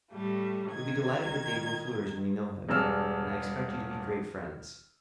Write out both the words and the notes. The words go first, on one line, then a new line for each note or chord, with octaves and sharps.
You'll be delighted with De Boeffleurs when you know him, and I expect you to be great friends.
A2 G3 A3
D#3 G#6
E1 G2 G#4 D5 E6 F6